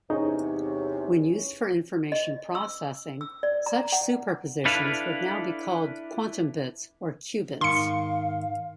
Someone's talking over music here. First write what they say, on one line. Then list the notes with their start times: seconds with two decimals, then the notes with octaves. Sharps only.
When used for information processing, such superpositions would now be called "quantumbits" or qubits.
0.10 E2 C3 C#4 D#4 G#4 C#5
2.12 D#5
2.55 E6
3.21 E6
3.43 D5
3.66 A#5
3.92 F#5
4.65 D4 E4 A4 B4 F5
7.61 G#2 D#3 F5 C6 C#7